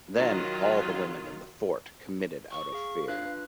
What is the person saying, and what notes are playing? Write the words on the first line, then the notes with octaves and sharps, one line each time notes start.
Then all the women in the fort committed out of fear.
D#3 F#3 F4
C#6
G#4 F5
D4 F4 F5 F#6
B4